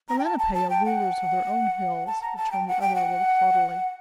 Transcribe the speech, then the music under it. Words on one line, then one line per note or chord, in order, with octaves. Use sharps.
"The Lenape are rulers of their own hills," returned the other a little haughtily.
A#5
G5
A5
A5
A5
G5
F#5
A5
A#5
A5
G5
F#5
G5
F#5